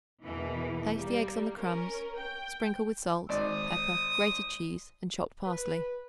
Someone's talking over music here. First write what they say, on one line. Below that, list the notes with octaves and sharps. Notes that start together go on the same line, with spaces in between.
Place the eggs on the crumbs; sprinkle with salt, pepper, grated cheese and chopped parsley.
E2 B2 E3 A#3
G3 A#3
C#4 A#4
G5
G#1 D5 D#6
B4